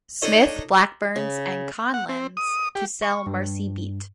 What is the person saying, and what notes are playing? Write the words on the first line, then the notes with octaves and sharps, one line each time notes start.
Smith, Blackburn's, and Conlan's, to sell "Mersey Beat".
D4 D#4 A4 C#5 D#5
C#3
F#5
C4
D#6
G4
C#6
G2